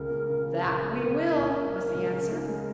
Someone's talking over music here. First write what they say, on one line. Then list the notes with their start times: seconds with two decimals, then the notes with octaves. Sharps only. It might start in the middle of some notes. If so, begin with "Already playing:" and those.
"That we will," was the answer.
Already playing: C#2 C#3 F4 A#4
0.10 A#3
0.30 C#3
0.48 F4
0.65 C#2 A#4
0.84 A#3
0.93 A#4
1.03 C#3
1.21 F4 A#4
1.39 C#2
1.57 A#3
1.75 G#3
1.94 C#3
2.12 C#3
2.31 D#4
2.49 G#3